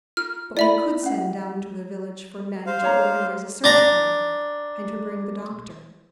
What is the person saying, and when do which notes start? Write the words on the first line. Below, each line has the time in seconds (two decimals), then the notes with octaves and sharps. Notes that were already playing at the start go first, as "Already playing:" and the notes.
But we could send down to the village for men to organise a search-party and to bring the doctor.
0.17 F4 F6
0.57 E4 D5 E5 B5
1.03 C#4 F#5
2.66 C5 F5
2.82 D4 C#5 A#5
3.64 D4 A#5